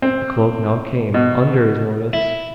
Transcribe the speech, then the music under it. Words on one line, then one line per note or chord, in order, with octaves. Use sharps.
The cloak now came under his notice.
C4
B2
E4